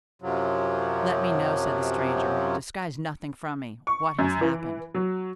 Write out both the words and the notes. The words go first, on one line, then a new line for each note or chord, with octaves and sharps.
"Let me know," said the stranger,--"disguise nothing from me--what has happened?"
F#2 C3 F3 F#3
C#6
F#2
E3
F#3